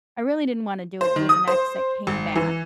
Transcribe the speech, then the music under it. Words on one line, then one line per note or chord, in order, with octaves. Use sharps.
I really didn't wanna do it, it was an ex that came back
C5
D#3
D#6
C5
G#1
E3